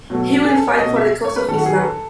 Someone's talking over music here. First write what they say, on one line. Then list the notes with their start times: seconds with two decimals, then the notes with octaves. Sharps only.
He will fight for the cause of Islam.
0.10 B2 F#3 A3
0.45 G#4
0.56 A4
0.68 C#5
0.78 B2 A3 D#5
0.96 E5
1.25 C#5
1.36 B4
1.48 D#3 F#3 A3 A4
1.58 F#4
1.66 G#4
1.76 B4
1.83 A4